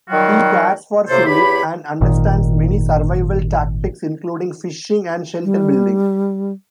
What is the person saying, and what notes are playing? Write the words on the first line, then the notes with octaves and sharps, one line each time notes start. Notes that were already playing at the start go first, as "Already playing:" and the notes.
He cares for Phillip and understands many survival tactics including fishing and shelter-building.
D#3 F#3 G3 F4 F#4 G5
A2 C3 A#3 A4 C5
E2 G4 C#5 B5
G#1 A#2 D#3
G3